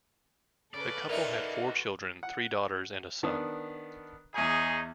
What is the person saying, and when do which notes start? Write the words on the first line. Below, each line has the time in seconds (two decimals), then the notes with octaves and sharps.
The couple had four children, three daughters and a son.
0.74 C#3 A4 B4 D5
1.09 A#3 D#4 F#4 A#4 D5 E5 F5
2.23 F#5
3.23 D#3 B3 D4
4.34 E2 C#4 D#4 G#4 G#5